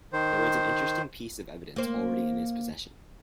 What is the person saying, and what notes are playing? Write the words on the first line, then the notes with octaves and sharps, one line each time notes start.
There was an interesting piece of evidence already in his possession.
D#3 C5
A#3 C5